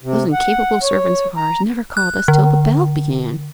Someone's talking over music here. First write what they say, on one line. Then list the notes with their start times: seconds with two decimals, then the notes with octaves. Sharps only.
Those incapable servants of ours never called us till the bell began.
0.03 C3
0.33 F#5
0.82 C#5
1.37 A#5
1.97 F#6
2.28 D3